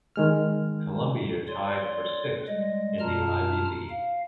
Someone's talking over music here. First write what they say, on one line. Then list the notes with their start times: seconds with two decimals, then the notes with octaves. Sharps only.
Columbia tied for sixth in the Ivy League.
0.16 D#3 G#3 F6
1.48 C#5 D5 C6
2.48 G3 G#3 D#5
3.00 F#2 B2 F4 A5 A#5 F6
3.90 F5